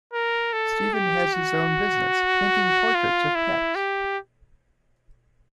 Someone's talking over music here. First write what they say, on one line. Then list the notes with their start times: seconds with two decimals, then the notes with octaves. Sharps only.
Steven has his own business: painting portraits of pets.
0.13 A#4
0.53 A4
0.94 G4
1.34 F#4
2.95 F4
3.35 E4
3.75 G4